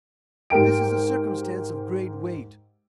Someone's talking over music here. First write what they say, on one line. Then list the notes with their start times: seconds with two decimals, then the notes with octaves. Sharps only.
This is a circumstance of great weight.
0.50 G#2 G4 A#4 G5 D7